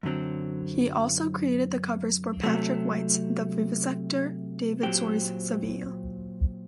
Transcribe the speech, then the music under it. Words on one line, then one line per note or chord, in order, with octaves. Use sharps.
He also created the covers for Patrick White's "The Vivisector", David Storey's "Saville".
F#2 D3 F#3 C4
C3 F#3 A3
A#2 F#3 C4 G4